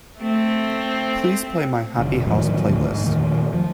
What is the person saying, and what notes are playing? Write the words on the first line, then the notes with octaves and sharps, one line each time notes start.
Please play my Happy House playlist.
A3 C4
F1 D3
A2 D#3 F3 F#3
D#2 A2 D3
G#2
E2 A#2 D#3 A3
F3